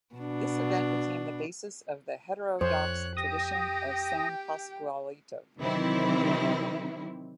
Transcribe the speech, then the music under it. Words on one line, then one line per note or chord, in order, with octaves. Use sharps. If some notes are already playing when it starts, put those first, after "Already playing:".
This event became the basis of the heterodox tradition of San Pascualito.
B2 D4
F2 C5 C#5 F#6
G4 G5 D#6 A#6
C3 D#3 E3 F#3 C4 E4